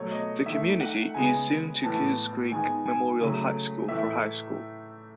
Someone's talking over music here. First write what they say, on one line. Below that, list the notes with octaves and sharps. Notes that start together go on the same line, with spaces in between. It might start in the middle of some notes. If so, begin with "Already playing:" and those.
The community is zoned to Goose Creek Memorial High School for high school.
Already playing: B2 F#3 A3 C#5
D#5
D#3 A3 E5
F#5
C#3 G#3 B3 G#5
A2 E3 B3 A5
D#3 G#3 B3 G#5
G#5
C#3 F#3 A3
A2 E3 A3 E5